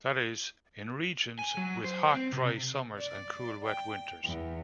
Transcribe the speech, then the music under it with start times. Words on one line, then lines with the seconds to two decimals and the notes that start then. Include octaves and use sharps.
That is, in regions with hot dry summers and cool wet winters.
1.39 G#5
1.57 F#3
1.84 C5
2.14 C4
2.33 C3
2.99 D5
3.64 G5
4.24 E2